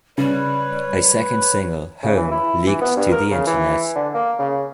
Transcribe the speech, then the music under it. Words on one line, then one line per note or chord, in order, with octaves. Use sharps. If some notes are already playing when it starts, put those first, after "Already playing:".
A second single "Home" leaked to the Internet.
C#3 G3 B4 C#5
C#3
E3
E4
E3
B3
G2
A#4
C#3
E3
D3
A#3
C#3